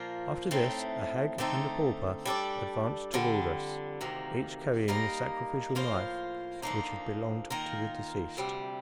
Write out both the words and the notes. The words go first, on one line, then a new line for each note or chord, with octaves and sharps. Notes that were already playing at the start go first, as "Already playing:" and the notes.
After this a hag and a pauper advanced toward us, each carrying the sacrificial knife which had belonged to the deceased.
Already playing: A#2 F3 A#3 F4
A2 A3 C4 D#4
D3 A3 C4 D#4 A4
G3 D4 A4 D5
F2 D3 G3 D4
D2 C3 D#3 A#3
G3 A#3 D#4 A#4 D#5
A2 F3 A#3 F4 C5
D3 F3 A#3 D#4
D#3 A#3 F4 A#4
D2 C3 G3